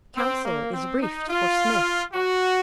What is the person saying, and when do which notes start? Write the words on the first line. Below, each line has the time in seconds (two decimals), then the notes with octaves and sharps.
Counsel is briefed for Smith.
0.16 C4
0.45 A#3
0.73 C4
1.01 D#4
1.29 F4
2.13 F#4